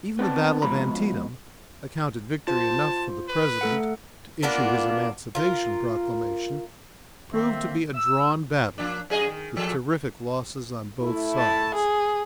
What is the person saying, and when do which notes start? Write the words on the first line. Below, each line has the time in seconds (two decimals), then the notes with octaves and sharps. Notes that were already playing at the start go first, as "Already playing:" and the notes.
Even the battle of Antietam, accounted victory enough for the President to issue his Emancipation Proclamation, proved to be a drawn battle, with terrific losses on both sides.
0.19 B3 C4 D5 A5
0.62 C#2 B2 F3 G#3 A#5 B5
2.48 F4 C5 A5
3.29 B4
3.61 A3 A4 F#5
4.43 A#3 B3 D4 F4
5.35 F4 A#4
7.32 F2 D#3 A#3 C4 E5
7.94 E6
8.78 F3 A#3 D4
9.10 F#2 G#4 D#5
9.27 D#3
9.56 A#2 F3 A4
11.02 A3 E4
11.38 A5
11.75 G#4